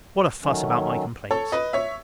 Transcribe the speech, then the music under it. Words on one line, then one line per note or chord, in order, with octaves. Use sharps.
What a fuss about my complaints!
D#3 F#3 A3 C#4
A4 C#5
B4 D#5
C#5 E5